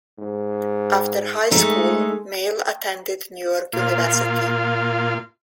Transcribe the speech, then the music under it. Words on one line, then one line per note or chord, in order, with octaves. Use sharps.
After high school, Mele attended New York University.
G#2
G#3 A3 D#4
A#2 F4